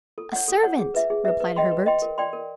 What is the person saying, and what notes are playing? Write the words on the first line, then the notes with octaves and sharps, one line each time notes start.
"A servant!" replied Herbert.
A4
C#5 F#5
A4
C#5 F#5
G#4
B4 E5
G#4
B4 E5
B4
D#5 G5 C6
B4
D#5 G5 C6
A#4
D5 G5 C6
A#4